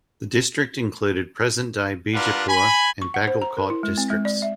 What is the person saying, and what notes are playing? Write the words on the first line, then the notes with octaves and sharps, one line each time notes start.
The district included present-day Bijapur and Bagalkot districts.
G3 D4 F4 A#4 B4 F#5
G#5 B5
C#6
F#5
C5
A#5
A#4
E4
G#3
C4
G#3
D5
E5